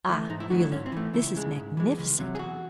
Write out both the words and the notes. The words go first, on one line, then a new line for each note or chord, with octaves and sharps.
Ah, really this is magnificent!
E3 A3
G#2 D#4
E4
D#3 F#3 A3 F#4
E4
G#2 C#4
C4
E3 A3
C#2 E4
C#3 G#3
G#2
E3 G#3
C#2
C3 F#3
G#4
E2 F#4